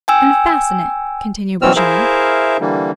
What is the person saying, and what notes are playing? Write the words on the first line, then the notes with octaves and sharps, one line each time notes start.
"And fasten it," continued Brujon.
G5 G#5 E6
B2 E3 C4 C#4 E6 F6
E4 G#4 A#4 C5 E5 F5
D3 E3 G3 A#3